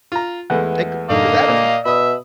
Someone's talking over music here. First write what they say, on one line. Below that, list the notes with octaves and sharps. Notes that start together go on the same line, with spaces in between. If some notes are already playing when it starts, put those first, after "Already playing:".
Like, 'cause that is m
F4 A#5
E2 G#3 A3 B4 F#5
F#2 A2 D3 A#3 D#4 D#5 F5
A#2 D5
B2 E5 B5 D#6